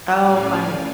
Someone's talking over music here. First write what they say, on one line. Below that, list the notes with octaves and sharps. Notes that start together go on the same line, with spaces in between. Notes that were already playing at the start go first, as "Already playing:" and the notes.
Oh, funny.
A2 C#4 D5 F5 G#5